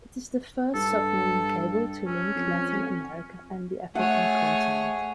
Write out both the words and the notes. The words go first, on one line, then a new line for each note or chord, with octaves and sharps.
It is the first submarine cable to link Latin America and the African continent.
G2 A4
C#4
F2
A3 G#4 C#5 F#5